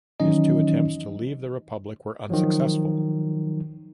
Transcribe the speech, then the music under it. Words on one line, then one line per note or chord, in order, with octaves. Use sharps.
His two attempts to leave the republic were unsuccessful.
D#3 E3 F#3 C#4 D#4 D#5
D#3 F3 F#3